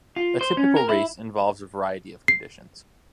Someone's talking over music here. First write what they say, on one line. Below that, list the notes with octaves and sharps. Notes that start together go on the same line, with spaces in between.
A typical race involves a variety of conditions.
F4
C5
C#4
A#4
E4
C7